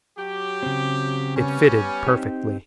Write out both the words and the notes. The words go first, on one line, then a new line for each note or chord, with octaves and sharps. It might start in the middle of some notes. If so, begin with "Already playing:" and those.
It fitted perfectly.
F#3 G4
C#3 C4
G3 B3 C#4
C4 D#4 G4